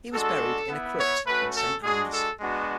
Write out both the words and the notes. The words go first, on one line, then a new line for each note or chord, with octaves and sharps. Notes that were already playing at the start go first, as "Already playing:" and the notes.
He was buried in a crypt in Saint Anne's.
G#3 D4 F#4 A4
B3 E4
C#5
A3 C#4 F#4 B4
A4
G#3 D4 F#4 G#4
A4
G#3 B3 D4 F#4